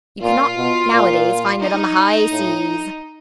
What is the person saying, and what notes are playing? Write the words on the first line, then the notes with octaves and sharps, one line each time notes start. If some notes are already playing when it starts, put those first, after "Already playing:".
You cannot nowadays find it on the high seas.
A#2 F4
B2
A#2
D#4
A2